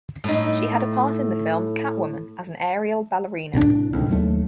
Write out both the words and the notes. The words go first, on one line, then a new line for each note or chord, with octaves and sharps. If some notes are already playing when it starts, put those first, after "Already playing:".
She had a part in the film "Catwoman" as an aerial ballerina.
A2 D#4
C2 A2 E3 D4
C#2 A2 C3 D#3
D#2 F#3 G#3 A3